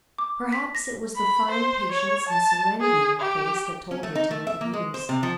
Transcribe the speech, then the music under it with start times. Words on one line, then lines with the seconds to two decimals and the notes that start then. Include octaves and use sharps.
Perhaps it was the fine patience and serenity in her face that told her tale of years.
0.18 D6
0.52 B6
0.75 A#6
1.16 B5
1.51 C5
1.92 C#5
2.29 A5
2.81 G#4
3.20 G4
3.91 C#4
4.03 A3
4.15 D#4
4.31 A3
4.47 E5
4.61 A#3
4.73 G#3
4.94 C5
5.09 C3
5.23 F3